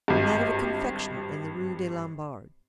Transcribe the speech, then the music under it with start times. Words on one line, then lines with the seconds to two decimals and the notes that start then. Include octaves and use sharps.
"That of a confectioner, in the Rue des Lombards."
0.08 G#1 G2